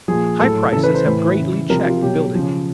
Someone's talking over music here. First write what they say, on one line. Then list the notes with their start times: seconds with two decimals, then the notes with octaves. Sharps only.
High prices have greatly checked building.
0.08 A#2 F3 G#4
0.40 A2 F#3 A4
0.73 C#3 E3 A4
0.83 B4
0.94 C5
1.05 A2 E3 B4
1.37 C#3 E3
1.69 C3 F3 A#4
1.86 F4
2.02 B2 F#3 G4
2.35 C#3 F3